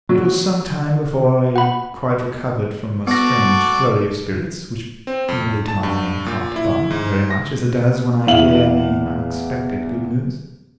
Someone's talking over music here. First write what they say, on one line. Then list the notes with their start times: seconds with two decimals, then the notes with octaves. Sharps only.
It was some time before I quite recovered from a strange flurry of spirits, which made my heart bump very much as it does when I hear any unexpected good news.
0.09 F#3
1.56 F#5 B5
3.07 B3 F#4 A4 D5 A#6
5.07 C4
5.28 F2
5.68 A5
5.83 G2
6.26 A#2
6.56 E4
6.91 G#2
7.31 A#6
8.27 E2 E4 F5 F#7